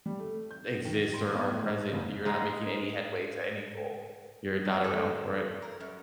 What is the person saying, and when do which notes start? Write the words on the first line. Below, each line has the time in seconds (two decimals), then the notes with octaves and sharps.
exist or aren't present, you're not making any headway to any goal. You're not around for it.
0.06 G3
0.19 A3
0.51 G6
0.85 D#3
1.13 C6
1.35 B3
1.47 A2
1.62 G#2
1.93 F#1
2.25 G#2 G#3
4.65 F2
4.84 A4
5.62 A#4
5.80 F#2